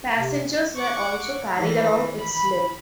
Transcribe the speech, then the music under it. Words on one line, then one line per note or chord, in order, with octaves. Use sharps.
Passengers were also carried along its length.
C3
F#5 C#6 D6
D#3 E3
B5